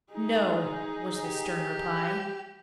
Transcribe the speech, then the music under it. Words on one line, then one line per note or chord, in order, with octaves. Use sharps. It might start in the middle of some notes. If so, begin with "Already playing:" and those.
"No," was the stern reply.
D#4 G#4
G4